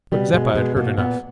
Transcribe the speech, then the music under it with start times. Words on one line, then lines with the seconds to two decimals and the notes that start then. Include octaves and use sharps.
But Zeppa had heard enough.
0.12 B2 G3
0.34 B2 G#3
0.55 B2 G#3
0.76 B2 A#3
0.98 A#2 B3